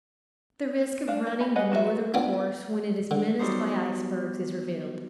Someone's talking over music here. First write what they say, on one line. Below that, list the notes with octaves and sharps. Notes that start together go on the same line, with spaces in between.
The risk of running the northern course when it is menaced by icebergs is revealed.
D4 F5
A#3
G4 B5
G#4 B4 D#5 F#5
F#3 F#4 A4 E5
B3 C4 D4 F4
D3
F#3 G3 B3 D#4 C5